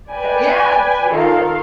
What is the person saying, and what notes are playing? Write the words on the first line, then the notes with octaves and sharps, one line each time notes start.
yes, yes,
B4 D5 G5 G#5
D#3 F4 A4 A#4 F5